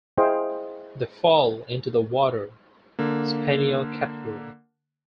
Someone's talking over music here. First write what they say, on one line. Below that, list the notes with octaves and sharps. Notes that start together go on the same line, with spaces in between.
They fall into the water spaniel category.
E4 G#4 C5 D#5 F5 G5
D3 A#3